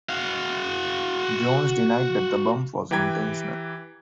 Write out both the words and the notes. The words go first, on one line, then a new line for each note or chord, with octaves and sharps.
Jones denied that the bump was intentional.
F#4 F5
E3 G4 B4 G5 A#5 G#6